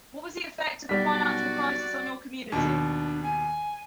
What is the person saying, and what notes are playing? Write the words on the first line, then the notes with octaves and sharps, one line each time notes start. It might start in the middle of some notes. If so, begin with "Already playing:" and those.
What was the effect of the financial crisis on your community?
B1 G3 F#4 D5 B6
D#2 B2 D4
G#5